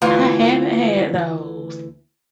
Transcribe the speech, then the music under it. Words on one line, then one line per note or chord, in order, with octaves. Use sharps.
I haven't had those.
D2 E3 F4